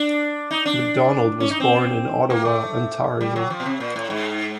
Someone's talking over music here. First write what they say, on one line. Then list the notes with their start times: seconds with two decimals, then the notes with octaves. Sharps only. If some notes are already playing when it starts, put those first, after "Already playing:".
Macdonald was born in Ottawa, Ontario.
Already playing: D4
0.51 D#4
0.66 D4
1.40 C#4
1.50 D#4
1.60 C4
2.30 A#3
2.45 A3
3.21 G3
3.36 F#3
3.50 F3
3.60 B2
3.66 C3
3.80 A#2
3.96 A2
4.10 G#2